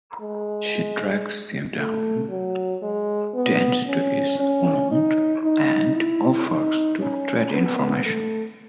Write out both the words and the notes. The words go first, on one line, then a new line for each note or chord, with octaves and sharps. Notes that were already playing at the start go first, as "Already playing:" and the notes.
She tracks him down, tends to his wound, and offers to trade information.
G#3
A3
F#3
G#3
B3
C#4
C#4
D#4
D#4
E4
D#4
C#4
B3
A3